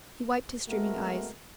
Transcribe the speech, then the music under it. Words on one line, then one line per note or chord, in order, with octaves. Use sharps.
He wiped his streaming eyes.
G#3 A3 B3 C4 F#4 A#4